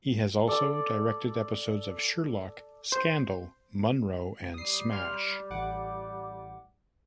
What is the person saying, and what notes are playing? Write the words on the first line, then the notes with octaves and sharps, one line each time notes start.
He has also directed episodes of "Sherlock", "Scandal", "Monroe" and "Smash".
A4 D5
C5
G3 D#6 C7
C6 F6
A1 F#5 D6